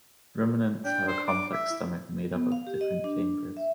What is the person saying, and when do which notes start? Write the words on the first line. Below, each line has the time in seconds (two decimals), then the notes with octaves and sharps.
Ruminants have a complex stomach made up of different chambers.
0.85 D4 G5
1.08 C5
1.27 D6
1.53 E5
1.70 E4
2.33 B3
2.52 F5
2.67 G4
2.81 D#5
3.04 D4
3.57 E5